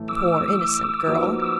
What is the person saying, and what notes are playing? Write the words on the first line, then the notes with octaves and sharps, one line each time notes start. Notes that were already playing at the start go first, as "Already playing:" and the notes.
Poor innocent girl.
Already playing: A2 E3 A3
D6 E6
F3 A#3 D#4 F#4 B4
D6 E6